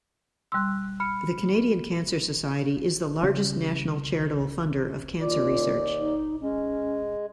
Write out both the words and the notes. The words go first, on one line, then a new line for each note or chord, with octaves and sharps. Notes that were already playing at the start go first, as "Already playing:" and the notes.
The Canadian Cancer Society is the largest national charitable funder of cancer research.
G3 C6 E6 F#6
B5 F6 C#7
C#3 G3 C#4
D#2 F4 D5
D#4
G#3 C#4